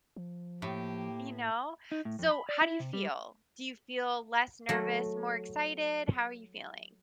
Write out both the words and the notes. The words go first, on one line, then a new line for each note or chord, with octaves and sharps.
You know? So how do you feel? Do you feel less nervous, more excited? How are you feeling?
F3
A2 A#3 G4
D#4
A2
F2
B5
D5
E4
C3
G3
F#3 A3